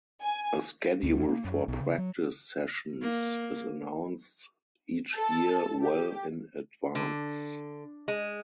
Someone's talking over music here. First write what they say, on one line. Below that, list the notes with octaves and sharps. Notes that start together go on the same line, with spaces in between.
A schedule for practice sessions is announced each year well in advance.
G#5
D2
E2
A#3
F#2
B1
C#3
F#3
A#3
A4
G4
D3
G#3